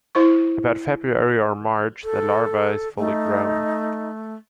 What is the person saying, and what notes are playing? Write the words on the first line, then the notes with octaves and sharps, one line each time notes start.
About February or March the larva is fully grown.
E4 C5 C#6
A4
A3 D#4